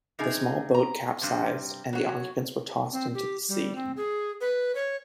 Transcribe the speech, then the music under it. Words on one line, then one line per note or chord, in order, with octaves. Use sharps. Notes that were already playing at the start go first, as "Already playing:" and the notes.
The small boat capsized and the occupants were tossed into the sea.
C3 D#4 G#4
A#5
G2 C3
F#3 F#4
C4
G4
G3
C4
G#4
B4
C#5